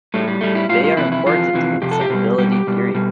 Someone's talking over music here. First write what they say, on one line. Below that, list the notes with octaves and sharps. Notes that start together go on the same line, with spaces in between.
They are important in summability theory.
A2 G3 A3
G3
A2 G3 A3
E4
A2 G3 F4
F4
F2 C3 E3 E4
E4
F2 C3 E3 F4
F2 C3 E3
F2 C3 G4
A4
G4
B2 G3
B2 G3 G4
G4
B2 G3
B2 G3